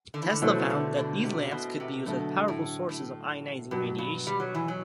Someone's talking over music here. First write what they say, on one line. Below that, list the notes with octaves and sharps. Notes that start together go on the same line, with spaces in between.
Tesla found that these lamps could be used as powerful sources of ionizing radiation.
D3
E3
D3
B2 F#3 A3 E4 A4 C5
D3
D3
C3
B2
C3
B2 D3 F#3 A3
A2
A2
G2 B2 F#3 B3
G2
G3
F#3
E3
F#3